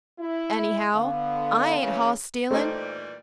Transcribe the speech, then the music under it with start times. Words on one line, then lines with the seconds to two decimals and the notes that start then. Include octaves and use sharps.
Anyhow, I ain't hoss stealin'.
0.19 E4
0.95 D3 B3 F5
1.82 C#3 E3
2.51 A#2 E3 G3 A3 D#4 A4 C5